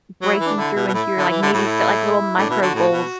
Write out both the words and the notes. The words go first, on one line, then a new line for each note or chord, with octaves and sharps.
breaking through into your, like maybe set, like, little micro goals
F#3
E4
E3
D4
D3 E4
B2
B2
A2 E4
D3
E3
D3
A2 F#4
E4
A2 D4
B2 E4
D3 F#4
A2
B2